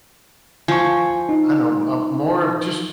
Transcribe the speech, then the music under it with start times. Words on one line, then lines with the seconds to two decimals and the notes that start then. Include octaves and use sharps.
I don't know uh, a more of just
0.68 F3 G#5 C#6
1.29 D#4